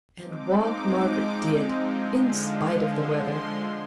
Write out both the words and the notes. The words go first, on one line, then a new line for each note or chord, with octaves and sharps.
And walk Margaret did, in spite of the weather.
F3 G#3 C4 D#4 D6
D3 F3 G#3 C6
F5
F5
C6
C6